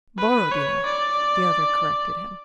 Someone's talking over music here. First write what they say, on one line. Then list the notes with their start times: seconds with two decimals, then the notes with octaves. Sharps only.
"Borodino," the other corrected him.
0.18 B4
0.52 C#5
0.86 D5